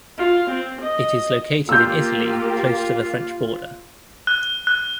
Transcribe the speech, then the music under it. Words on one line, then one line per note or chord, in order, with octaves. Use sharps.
It is located in Italy close to the French border.
F4
C4
D#5
A#3 F4 G4 E6 G6
F#6
F#6